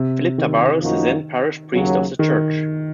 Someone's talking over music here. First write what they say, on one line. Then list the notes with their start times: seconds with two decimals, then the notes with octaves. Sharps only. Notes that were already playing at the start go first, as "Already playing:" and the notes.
Philip Tavares the then parish priest of the Church.
Already playing: C3
0.38 D#3
0.82 F#2 F3 A#3 D#4 F#4
1.74 D#2 C#3 F#3
2.19 D#3